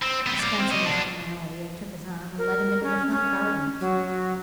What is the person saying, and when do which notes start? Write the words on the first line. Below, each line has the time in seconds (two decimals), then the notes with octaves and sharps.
Dispensing with formality, I took his arm, and led him into the front garden.
0.03 C4
0.26 B3 C4
0.40 D5 F5
0.57 C4
0.71 C#5 D#5
0.85 B2 D4
2.38 A#4
2.83 C#4
3.11 C#4
3.80 F#3